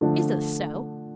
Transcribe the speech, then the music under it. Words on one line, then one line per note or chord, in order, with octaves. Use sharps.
Is this so?'
D3 F3 A3 D4